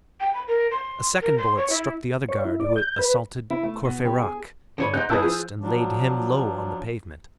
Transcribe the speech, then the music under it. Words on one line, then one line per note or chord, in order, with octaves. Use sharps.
A second bullet struck the other guard, who had assaulted Courfeyrac in the breast, and laid him low on the pavement.
G5
B5
A#4
C6
A#4
C6
C#5
E4
C#5
E4
D5
G6
B4
E4
A3
B2
G3
G#4
D3 C#5 B5
G#2 D#4 F#6 G6
E4 G#4 B4 A5 E6
F3 G#4
F3 F#3 D4